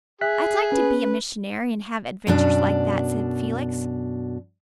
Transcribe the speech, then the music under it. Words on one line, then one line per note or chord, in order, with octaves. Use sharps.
"I'd like to be a missionary and have adventures like that," said Felix.
G#4 E5 F#6 B6
C#4 B4
F#2 B2 D4